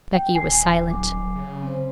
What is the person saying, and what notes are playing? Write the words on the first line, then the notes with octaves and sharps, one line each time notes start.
Becky was silent.
G5
D#1 G#5 C7
F#3 D6
C#3
C4 C5